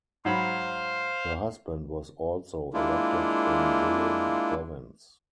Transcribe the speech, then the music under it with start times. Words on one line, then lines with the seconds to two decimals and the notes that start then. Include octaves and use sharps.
Her husband was also elected in Jilin Province.
0.25 G#2 F#3 C5 F5 B5
2.74 G#3 A#3 D4 E4 F4